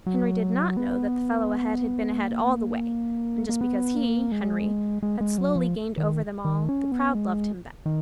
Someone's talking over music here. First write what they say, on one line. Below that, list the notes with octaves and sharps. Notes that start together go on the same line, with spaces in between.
Henry did not know that the fellow ahead had been ahead all the way, and just because he--Henry--had slowly gained over them all, the crowd loved him best.
F#3
B3
A#3
A#3
B3
A#3
G#3
G#3
G#3
F#3
F3
D#3
D#3
C#4
B3
G#3
D#3